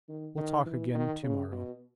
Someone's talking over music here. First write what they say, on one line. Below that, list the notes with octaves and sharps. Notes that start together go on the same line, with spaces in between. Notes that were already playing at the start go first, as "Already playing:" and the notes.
"We'll talk again to-morrow."
D#3
D#3
E3
D#3
C#3
B2